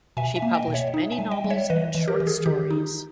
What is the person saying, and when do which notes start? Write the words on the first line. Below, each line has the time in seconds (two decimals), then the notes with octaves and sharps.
She published many novels and short stories.
0.17 B2 E5 G#5
0.36 E5 G#5
0.42 A#3
0.55 D#5 G5
0.68 B2
0.74 C#5 E5
0.94 D#4
1.12 E5 G#5
1.19 G3
1.31 D#5 G5
1.44 G3
1.50 C#5 E5
1.70 E3 B4 D#5
1.95 E3
2.08 G4 A#4
2.20 E3
2.27 G#4
2.46 D#3 G4
2.71 D#4